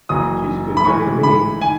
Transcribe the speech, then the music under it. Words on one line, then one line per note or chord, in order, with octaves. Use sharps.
She's good enough for me!
F#1 F#2 E3 D#6
B5
A2 E3 G#3 C#6
B5
D#3 G#5